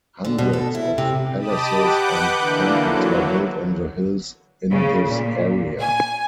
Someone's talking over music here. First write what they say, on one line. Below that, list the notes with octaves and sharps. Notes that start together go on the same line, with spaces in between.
Hundreds of palaces and temples were built on the hills in this area.
D3
B2
A4
E4
C3
G4 D#5 A5 B5 D6 D#6
B4 F#5 D6 F#6 G6
D3 E3 A#3
F#3
C#3
A#2
G#5